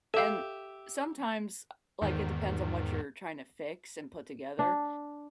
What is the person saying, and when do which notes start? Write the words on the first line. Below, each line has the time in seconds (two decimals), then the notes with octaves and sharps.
and sometimes, uh like it depends on what you're tryna fix and put together
0.14 G4 A4 E5 F5
2.02 E2 G#2 D#3
4.59 D4